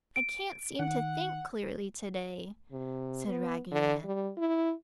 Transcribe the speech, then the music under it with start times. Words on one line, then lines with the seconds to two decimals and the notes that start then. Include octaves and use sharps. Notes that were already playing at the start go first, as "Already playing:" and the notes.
"I can't seem to think clearly to-day," said Raggedy Ann.
0.16 D7
0.79 D#3 F#5
2.72 C3
3.28 B3
3.71 D3
4.04 G3
4.37 E4